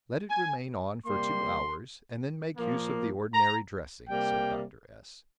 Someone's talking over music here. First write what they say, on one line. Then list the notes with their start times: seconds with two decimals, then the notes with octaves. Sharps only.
"Let it remain on for two hours, and then make use of the ordinary dressing," said Dr. S--.
0.30 G#5
1.06 C3 G3 A#3 C6
2.57 A#2 F3 A#3
3.33 A#5
4.09 C3 G3 A#3 G5